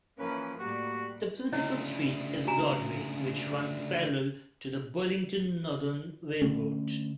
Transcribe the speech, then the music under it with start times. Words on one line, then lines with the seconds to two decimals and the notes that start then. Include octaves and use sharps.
The principal street is Broadway, which runs parallel to the Burlington Northern Railroad.
0.19 E3 F3 A#3 C#4 B4
0.59 A2 G3 A#3 F#4 G4
1.53 D2 C#3 E4 C#5 D#5
2.47 F#4 G#5 A#5
6.42 D3 F3 A3 C#4